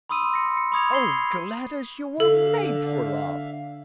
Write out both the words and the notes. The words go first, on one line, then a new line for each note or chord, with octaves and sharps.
Oh, Gladys, you were made for love!
B5 C6 D#6 E6 D#7
A#6 C#7
C#7
B5 C#6 D#6 G#6 C#7 F7
C7 G7
D3 A4 E5 F5